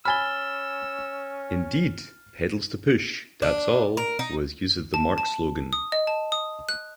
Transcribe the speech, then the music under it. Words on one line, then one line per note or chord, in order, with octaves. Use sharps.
Indeed, "Pedals to push, that's all" was used as the marque's slogan.
C#4 G#5 B5 E6 F6 A6 G7
D4
A#4
D#4
A5
A5
D#6
D#5
A5
D#6
F#6